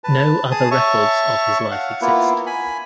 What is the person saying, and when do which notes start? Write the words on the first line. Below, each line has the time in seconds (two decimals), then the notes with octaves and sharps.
No other records of his life exist.
0.04 B4 A5
0.51 G#4 A5 D#6
0.71 C#5 E5 A5 C#6
1.71 F5 F#5
2.01 A#3 B3 E4 F4
2.46 G#5 B5